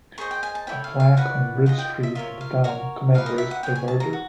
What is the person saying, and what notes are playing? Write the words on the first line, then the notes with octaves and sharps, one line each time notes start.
A plaque on Bridge Street in the town commemorates their murder.
G#4 C5 D#5 C#6
G5
G#5
A5
E4 A4 C#5 G5
F5
F5
F#4 B4 D5 F#5
F4 G#4 B4 D#5 F#5
G5
E5
F4 A#4 C#5 E5
F5
F#4 A#4 C#5
D#4 G4 B4 F5
D#5
E5
F#5
G#4 C#5 G5
G#5
A5
A#5
F#4